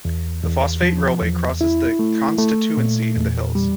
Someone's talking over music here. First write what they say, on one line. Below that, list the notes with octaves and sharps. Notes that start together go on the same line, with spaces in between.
The phosphate railway crosses the constituency in the hills.
E2
E2
F3
E2
E4
A3
A3
A#2
E2
G3